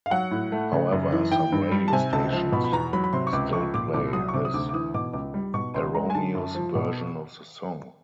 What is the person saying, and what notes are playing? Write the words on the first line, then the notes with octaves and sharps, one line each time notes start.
However, some radio stations still play this erroneous version of the song.
F5
F#3 F#5
A2
A3
C#3
F#2
E3
E3 G5
G2
G3
A5
C3 G#5
C#2 A5
F3
B2 B5
B5
E2 A#5
F#3 B5
B5
C3 C6
C#6
C#2 D6
F3 C#6
A#2 D6
C2 D6
F#3 D#6
C#6
C3 D6
D#6
D2 D6
D6
E3 D#6
B2 D6
C#2 D6
G3
B2 C#6
C#2 C6
G#3 A#5
G#5
D3 A5
F#2
F3
B2